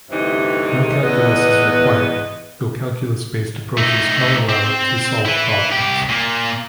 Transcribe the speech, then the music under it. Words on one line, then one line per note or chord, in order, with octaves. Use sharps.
No calculus is required, though calculus based approaches are allowed to solve problems.
D2 G2 C3 E3 D#4
E2 B3 D#5
A3 D#4
C4
E4 B4
C2 G4
A#2 A#3